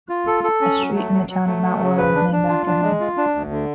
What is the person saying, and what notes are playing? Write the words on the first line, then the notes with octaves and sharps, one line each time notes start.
A street in the town of Mount Royal is named after him.
F4
A4
A4
C#4
F#3
A3
F#3
F#3
A3
F#3
C#3
B4
D4
D4
F4
D4
G#3
F4
D4
D2
D3